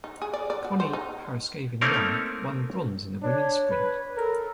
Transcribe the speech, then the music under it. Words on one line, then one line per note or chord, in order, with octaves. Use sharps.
Connie Paraskevin-Young won bronze in the women's sprint.
D#4
G#4
D5
D5
F#4
C5
D#4
A3 A#3 C4 C#4 D#4 A#4
D4 C#5
B4
A4 A#4